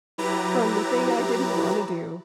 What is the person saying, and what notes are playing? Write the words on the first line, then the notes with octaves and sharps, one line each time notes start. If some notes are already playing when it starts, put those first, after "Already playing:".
from the thing I didn't wanna do."
F#3 E4 G4 B4 A#5 A6